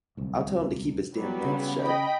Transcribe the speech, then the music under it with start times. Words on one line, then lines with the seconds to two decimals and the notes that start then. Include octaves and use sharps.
I'll tell him to keep his damn mouth shut!
0.17 D1 C2
1.14 F#3 G3 B3
1.44 C#3
1.82 D#5 G5 B5